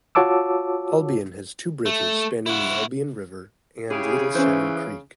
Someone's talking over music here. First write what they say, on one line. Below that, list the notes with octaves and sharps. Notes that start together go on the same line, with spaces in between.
Albion has two bridges, spanning the Albion River and Little Salmon Creek.
F4 F#4 C#5 A5 D6 E6
A3
E4 F#4
C#3 E4 G4 G#4
E3 C#4 C5